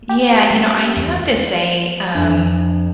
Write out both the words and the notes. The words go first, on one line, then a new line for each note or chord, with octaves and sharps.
Yeah, you know, I do have to say, um
G4
G3 C#4
E2
F2 D4